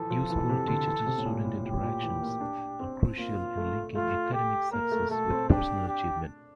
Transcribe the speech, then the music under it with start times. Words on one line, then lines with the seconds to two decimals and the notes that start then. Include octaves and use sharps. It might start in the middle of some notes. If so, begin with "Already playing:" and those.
Useful teacher-to-student interactions are crucial in linking academic success with personal achievement.
Already playing: E3 F3 A4
0.10 F3
0.30 E3
0.49 C3
0.68 D3
0.87 E3
1.06 C3
1.18 A2
1.25 A#2
1.45 A2
1.64 A#2 G4
1.83 A#2
2.03 E3
2.22 A#3
2.41 D4
2.80 C4
3.18 A#3 F4
3.57 A3
3.95 A3 F4
4.33 G4
4.72 A#3 A#4
4.91 A3
5.11 A3 A4
5.30 C4
5.49 D4 G4
5.88 G4